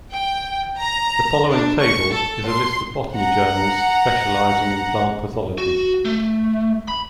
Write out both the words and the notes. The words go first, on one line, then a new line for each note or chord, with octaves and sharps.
The following table is a list of botany journals specializing in plant pathology.
G5
A#5
D4
C#6
A4
C6
F#5 A#5
F#4
A3
B5